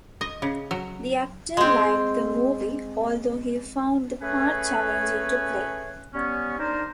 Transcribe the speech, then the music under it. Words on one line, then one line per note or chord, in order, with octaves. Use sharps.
The actor liked the movie although he found the part challenging to play.
D#5
C#3
F#3
G#3 C4
A3 C#4 G#4 B4 C#5
G3 B3 C#4
D4 D#4 A#4 C5 D5